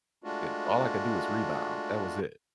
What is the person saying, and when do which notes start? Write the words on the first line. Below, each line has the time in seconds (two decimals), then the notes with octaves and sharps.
Eh, all I could do was rebound. That was it.
0.24 G#3 A3 D4 F4 F#4